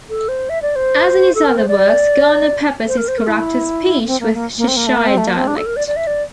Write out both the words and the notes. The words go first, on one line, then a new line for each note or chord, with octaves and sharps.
As in his other works, Garner peppers his characters' speech with Cheshire dialect.
A4
C5
E5
D5
C5
A4
A#4
C5
D5
C5
A#4
C5
A#4
E4
C4
A#3
A#3
A#3
C4
A#3
A3
A#3
C4
A3
A#3
C4
D4
A4
A#4
D5
D5
E5
D5